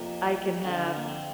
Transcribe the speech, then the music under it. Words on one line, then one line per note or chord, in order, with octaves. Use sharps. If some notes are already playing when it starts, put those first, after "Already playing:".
I can have
Already playing: F2 C3 F3 A#3
F2 D3 F3 D4
A#3
C4